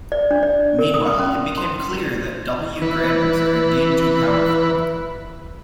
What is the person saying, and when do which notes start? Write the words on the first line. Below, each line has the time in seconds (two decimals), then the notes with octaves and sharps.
Meanwhile, it became clear that W-grammars are indeed too powerful.
0.12 D5
0.31 D4
0.43 D5
0.79 A#4
0.94 D#6
1.19 C#4
1.58 C6
2.82 E3 B4